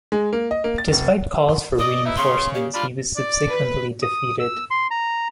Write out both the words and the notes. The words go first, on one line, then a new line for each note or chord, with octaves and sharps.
Despite calls for reinforcements he was subsequently defeated.
G#3
A#3
D#5
A#3
A6
F1
D5 D#5 D#6
E3 D#4 E4
C#3 C6
G4
G3 D4 F4 B5
D5
B4
D#6
E6
C6
A#5